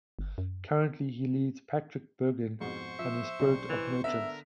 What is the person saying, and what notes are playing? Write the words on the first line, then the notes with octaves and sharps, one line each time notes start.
Currently, he leads Patrick Bergin and the Spirit Merchants.
G1
F#2
F2 G#2 B2 C5 C#6
F3 E5
B1 C3 D4
E3
D3 B3 A#4 E5